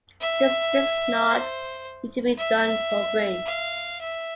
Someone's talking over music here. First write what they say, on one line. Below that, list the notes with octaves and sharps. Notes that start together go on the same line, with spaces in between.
This does not need to be done for free.
E5
C5
E5
F5
E5